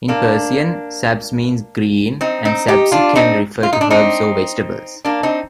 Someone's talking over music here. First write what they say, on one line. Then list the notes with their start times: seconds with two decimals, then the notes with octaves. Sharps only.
In Persian, sabz means green, and sabzi can refer to herbs or vegetables.
0.08 A#3 D4
2.21 C4 D#4
2.45 C4 D#4
2.68 D#4 G4
2.92 D4 F4
3.15 C4 D#4
3.63 F4
3.73 D#4
3.81 D4
3.90 C4 D#4
5.05 A#3 D4
5.23 C4 D#4